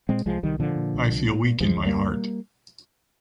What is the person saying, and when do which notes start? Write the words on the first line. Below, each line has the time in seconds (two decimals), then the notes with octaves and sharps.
I feel weak in my heart.
0.09 A#2 G#3 C4
0.26 C2 F3 G#3
0.43 C2 D#3 G3
0.59 A#2 D3 F3
0.76 A#2
0.94 C2
1.11 C2
1.27 A#2
1.44 A#2
1.61 D2 F3 G#3
1.77 D2
1.86 G3 A#3